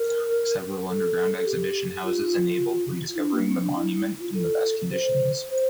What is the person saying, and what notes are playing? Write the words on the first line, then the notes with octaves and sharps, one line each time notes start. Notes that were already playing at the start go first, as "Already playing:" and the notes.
Several underground exhibition houses enabled rediscovering the monument in the best conditions.
Already playing: A#4
A4
A4
G4
F4
E4
D4
A#3
C4
D4
E4
E4
F4
A4
C5
C5